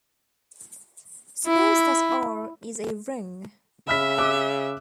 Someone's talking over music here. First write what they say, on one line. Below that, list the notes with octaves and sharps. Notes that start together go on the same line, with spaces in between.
Suppose that "R" is a ring.
E4
C#3 E5 B5 F6 B6
D6 E6 F#6